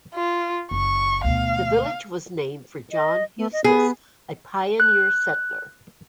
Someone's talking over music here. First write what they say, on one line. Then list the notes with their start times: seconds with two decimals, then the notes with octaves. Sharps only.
The village was named for John Hustis, a pioneer settler.
0.15 F4
0.71 F#1 C#6
1.24 D2 B2 F5
2.92 D#5
3.37 A3
3.53 D#5
3.64 B3 G#4
4.80 F#6